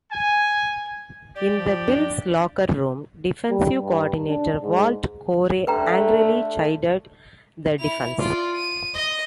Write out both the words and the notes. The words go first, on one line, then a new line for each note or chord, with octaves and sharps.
In the Bills' locker room, Defensive Coordinator Walt Corey angrily chided the defense.
G#5
G4 D5
F3 G4
D4
G3
G2
D4
G#2
D3 G3 A3 B4 G5 A#5
E4 F7
F4 D5
D#7
D#5